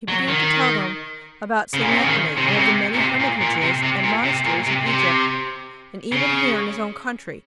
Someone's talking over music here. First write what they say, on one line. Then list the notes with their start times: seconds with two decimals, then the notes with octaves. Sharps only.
He began to tell them about St. Anthony, and of the many hermitages and monasteries in Egypt, and even here in his own country.
0.08 F#3
0.28 D#3
1.73 C#3
1.82 A#2
1.91 C3
1.98 C#3
2.05 D#3
2.37 C3
2.47 C#3
2.57 C3
2.94 A#2
2.98 C3
3.20 A#2
3.41 A#2
3.61 C3
3.82 C3
4.03 A#2
4.24 C3
4.45 A#2
4.66 C3
4.86 C3
6.12 C#3